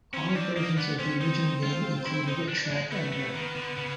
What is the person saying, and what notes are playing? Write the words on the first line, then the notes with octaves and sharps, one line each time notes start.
All versions of the original game included a track editor.
C4 C#4 C5
C#4
C4 D4 D5
A#3 D#4 D#5
B3 D4 D5
C4 C#4 C5
C4 D#4 C5
F4
E4
D#4
D4
G#3
A3 B3 B4
A3
D#3
D3
C#3